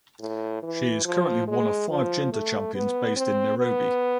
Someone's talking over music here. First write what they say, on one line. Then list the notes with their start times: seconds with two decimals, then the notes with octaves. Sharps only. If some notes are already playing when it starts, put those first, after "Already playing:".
She is currently one of five Gender Champions based in Nairobi.
0.21 A2
0.63 E3
1.05 F3
1.48 G#3
1.89 F3
2.32 A3
2.75 B3
3.16 C4
3.59 B3